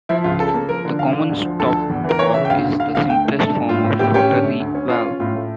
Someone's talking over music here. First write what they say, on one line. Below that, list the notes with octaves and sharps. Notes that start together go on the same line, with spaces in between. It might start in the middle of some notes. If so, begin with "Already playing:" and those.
The common stopcock is the simplest form of rotary valve.
F3 E4
C#2 F4
C#3 A4
A#3
F3 A#4
D3
D3 F5
D3
D2
F3
D2 A4
D3
E2
E3 A#4
E3 C#5
C#3 E5
G5
D2 F5
D2
D2 F5
D2 F5
A3 G5
A3
G2 A4
G2
A2 F4
A2
A2 G4
C#4 G4
D3
A3
D2
C#4
C#4 F4
C#4
A2 F4
A3